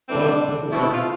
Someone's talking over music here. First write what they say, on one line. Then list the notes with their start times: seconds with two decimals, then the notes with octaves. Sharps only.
Well, that's okay.
0.09 G2 E3 A3 C4 D4
0.71 B2 A3 C4 E4
0.81 E4
0.92 F4